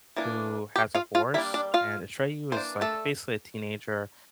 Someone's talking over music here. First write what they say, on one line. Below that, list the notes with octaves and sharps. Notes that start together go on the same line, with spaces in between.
who has a horse. And Atreyu is, like, basically a teenager,
E3 A#3 D4
G4 G5
F4 F5
F4 F5
G3 A#3 D4 E4 E5
D4 D5
F4 F5
E3 A#3 D4 C5
A3 A4